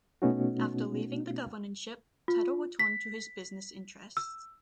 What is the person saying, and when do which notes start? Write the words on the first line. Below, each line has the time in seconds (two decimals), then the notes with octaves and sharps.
After leaving the governorship Tuttle returned to his business interests.
0.22 B2 A3 B3 C#4 D#4 F#4
2.28 F4
2.79 B6
4.17 E6